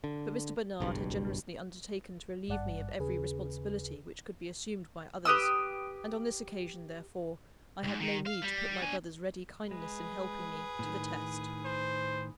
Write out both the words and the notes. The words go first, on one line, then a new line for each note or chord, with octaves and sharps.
But Mr. Bernard had generously undertaken to relieve me of every responsibility which could be assumed by others; and on this occasion, therefore, I had no need to put my brother's ready kindness in helping me to the test.
D3
F#1 B1 G2
G#1 G2 D5 F#5 A5
D#2 C#3 G#4 B4
G4 B4 D#6 E6
C#2 G#2
D#3
F5
G3
D4 G#5
G#3 G#4 B4
A2 D#3
C5